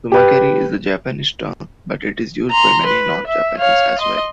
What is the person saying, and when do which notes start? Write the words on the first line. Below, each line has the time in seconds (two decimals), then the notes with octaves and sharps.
Tamakeri is the Japanese term, but it is used by many non-Japanese as well.
0.12 G4 B4
2.51 A#5 C6
2.87 B4
3.27 E5
3.58 C#5 F5
3.99 D#5 C6